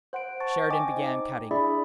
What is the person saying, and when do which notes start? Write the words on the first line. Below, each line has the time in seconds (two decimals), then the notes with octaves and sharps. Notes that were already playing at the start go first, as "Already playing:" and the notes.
Sheridan began cutting.
0.13 C5 F#5 C6 D7
0.40 A5 C#6 A6
0.70 C5 D#5 G5 G#5 D6
0.96 D#4
1.51 D4 E4 G#4 D5 E5 B5